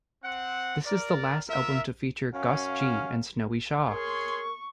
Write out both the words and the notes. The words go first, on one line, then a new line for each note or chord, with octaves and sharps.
This is the last album to feature Gus G. and Snowy Shaw.
C4 F#5
A#4 D5
F4 A#4 E5
F#2 C#4 F5
G#4 A#4 C#5 C6 C#6